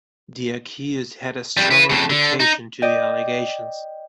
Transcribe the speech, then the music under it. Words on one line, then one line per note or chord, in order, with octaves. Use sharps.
The accused had a strong refutation to the allegations.
F2 G3
E4 B4
F2 C#3
D3
D#4
D5 D#5 G5